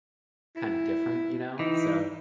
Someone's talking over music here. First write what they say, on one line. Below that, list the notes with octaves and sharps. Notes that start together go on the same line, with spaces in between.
kinda different, you know? So
E4
E3 D#4